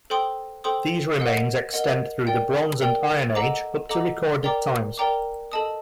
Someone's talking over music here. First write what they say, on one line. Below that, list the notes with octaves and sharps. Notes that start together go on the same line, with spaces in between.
These remains extend through the bronze and Iron Age, up to recorded times.
A4 C5 G5 C6 D#6
A4 C5 G5 C6 D#6
A#4 D#5 F#5
A#4 D#5 F#5
A#4 D5 G5
A#4 D5 G5
A4 D#5 F#5 A#5 D6
A4 D#5 F#5 A#5 D6
A#4 D5 G5 A#5 D6
A#4 D5 G5 A#5 D6
A4 D#5 A5 D#6